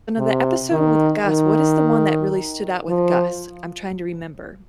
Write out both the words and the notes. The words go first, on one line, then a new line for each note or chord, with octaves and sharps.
one of the episode with Gus, what is the one that really stood out with Gus? I'm trying to remember.
C3
D#3
D#3
F3